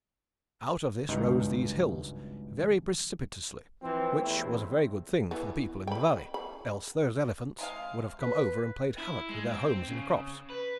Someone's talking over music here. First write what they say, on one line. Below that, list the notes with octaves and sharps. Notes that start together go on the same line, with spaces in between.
Out of this rose these hills, very precipitously, which was a very good thing for the people in the valley, else those elephants would have come over and played havoc with their homes and crops.
G#1 C#2 G2 F#3 D#4
E3 F3 C4
A1 E2 A3 C4 E4
E3 B3
G5 B5
B5
C3 G#3 F5
B4
E4
G#3
C4
C#3
B4